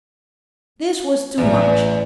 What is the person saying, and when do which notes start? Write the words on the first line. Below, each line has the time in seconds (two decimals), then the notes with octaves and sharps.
This was too much.
1.38 A1 E2